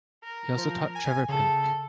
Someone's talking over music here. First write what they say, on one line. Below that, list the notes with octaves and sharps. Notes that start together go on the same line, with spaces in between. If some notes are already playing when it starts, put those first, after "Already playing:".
He also taught Trevor Pinnock.
A#4
F3
G#5
C#3 A4